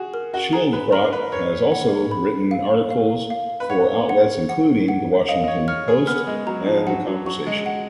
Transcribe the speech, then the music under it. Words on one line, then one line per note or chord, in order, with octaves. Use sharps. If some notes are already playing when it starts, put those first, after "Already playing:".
Schildkraut has also written articles for outlets including "The Washington Post" and "The Conversation".
Already playing: F#4 G#4
A#4
F#4
G#4 A#5
B4
A#4 A#5
B4
B4 C#5
F#5
B5
F5
F5
F5
B4
C#5 F#5
F#5
F#5
F#5
D#5 F5
D#5
C#5
C#5 F6
G#4
B3 F6
G#3
F#3 A#5
F3
F#3 F#5
F#3
F#3 C#6
G#3
F#5